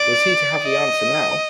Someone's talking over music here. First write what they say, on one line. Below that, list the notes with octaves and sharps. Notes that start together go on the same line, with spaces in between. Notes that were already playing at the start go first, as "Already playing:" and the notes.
Was he to have the answer now?
Already playing: D5
D#5